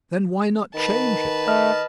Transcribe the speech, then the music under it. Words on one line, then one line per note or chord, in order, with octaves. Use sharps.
"Then why not change it?"
D#3 B4 A5
A3 D#5 F6